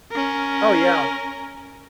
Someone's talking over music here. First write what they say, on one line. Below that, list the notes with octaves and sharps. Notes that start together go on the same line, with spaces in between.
Oh yeah,
C#4 A#4